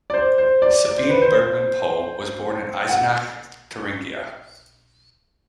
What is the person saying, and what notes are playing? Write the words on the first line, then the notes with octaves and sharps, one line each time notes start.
Sabine Bergmann-Pohl was born in Eisenach, Thuringia.
D5
C5
C5
D5
D5
C5
B4
C5
C5
F#5